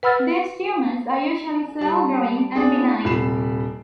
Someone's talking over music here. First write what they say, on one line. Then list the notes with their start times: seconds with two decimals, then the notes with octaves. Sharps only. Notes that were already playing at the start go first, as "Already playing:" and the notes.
These tumors are usually slow growing and benign.
0.03 B4 F#5 B5 E6 F6 A6
1.81 G3 A5
2.56 D4 G#4
3.05 D#1 C3 B5 C7 E7